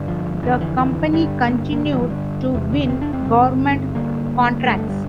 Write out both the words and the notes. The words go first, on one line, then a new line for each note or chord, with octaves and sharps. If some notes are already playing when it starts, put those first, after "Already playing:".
The company continued to win government contracts.
Already playing: G2 D3
F3
F2 D3 E3
E3
E3
G2 D3 G3
A#3
A#3
G2 D3 G3
F3
E3
D3
E2 C3 E3
D3
C4
D4
C4
G2 D3
G2 D3 A#3
G2 D3 A3
A3
G3